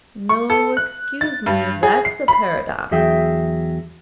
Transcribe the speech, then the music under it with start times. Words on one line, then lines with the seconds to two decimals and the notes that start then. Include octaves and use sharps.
"No, excuse me, that's a paradox."
0.29 C#6
0.50 A4
0.77 F#6
1.21 A6
1.46 G2
1.83 G#4
2.05 C7
2.28 B5
2.91 E2 F#3 G#4 E5 G5